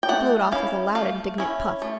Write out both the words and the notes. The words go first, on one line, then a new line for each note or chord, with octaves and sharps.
He blew it off with a loud, indignant puff.
G5
A3 F#5
C#4 E4 F5
A3 F5
C#4 E4
A3